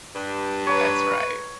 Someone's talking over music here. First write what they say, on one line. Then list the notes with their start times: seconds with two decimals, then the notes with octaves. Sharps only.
That's right.
0.15 G2 D4
0.67 B4 C#5 A#5